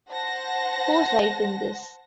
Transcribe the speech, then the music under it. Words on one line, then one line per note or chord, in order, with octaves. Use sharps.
Who's right in this?
C5 F#5 A5 A#6